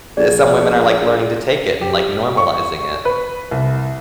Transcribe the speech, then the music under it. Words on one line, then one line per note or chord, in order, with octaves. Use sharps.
some women are, like, learning to take it and, like, normalizing it.
A#1 G#4 D5
G4
C#6
B4
C2